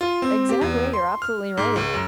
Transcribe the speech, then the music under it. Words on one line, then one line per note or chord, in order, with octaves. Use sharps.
Exactly, you're absolutely right.
F4
C4
G4
E2
C6
F6
G#2
C#2
F#2